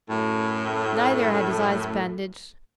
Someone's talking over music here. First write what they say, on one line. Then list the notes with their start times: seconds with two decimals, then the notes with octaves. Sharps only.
Neither had his eyes bandaged.
0.09 F#2 A2